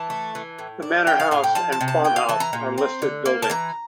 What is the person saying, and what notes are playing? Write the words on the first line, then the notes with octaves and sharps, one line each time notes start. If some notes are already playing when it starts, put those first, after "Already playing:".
The Manor House and farm house are listed buildings.
Already playing: E3 A5
A3
E3
A2
D4
E3 G5
F5
A2 F5
G5
F3 A5
A5
C3
A5
E3 G5
F5
E3 A5
A#5
A#2
C4
D3
A#3
A5
E3 A#5